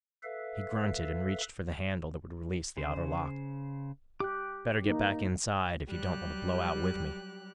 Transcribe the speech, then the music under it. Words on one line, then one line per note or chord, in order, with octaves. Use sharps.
He grunted and reached for the handle that would release the outer lock. "Better get back inside if you don't want to blow out with me."
A4 B4 E5 F5
C#3 C5
G4 D6 F#6
A#3 D#4
F#3 G3 G4 F#6